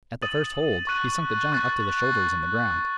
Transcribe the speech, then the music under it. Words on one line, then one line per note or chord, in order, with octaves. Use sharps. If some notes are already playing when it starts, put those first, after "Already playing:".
At the first hold, he sunk the giant up to the shoulders in the ground.
D#6 A6 D#7 F#7
C#6 F#6 A6 D#7 F#7
C#6 F#6 A6